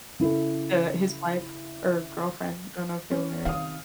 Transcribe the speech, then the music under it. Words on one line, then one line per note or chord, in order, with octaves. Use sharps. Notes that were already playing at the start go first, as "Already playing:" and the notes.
Uh, his wife or girlfriend, I don't know if they were married.
C#3 E4 A4
C#4
C3 D#3 F5 D#6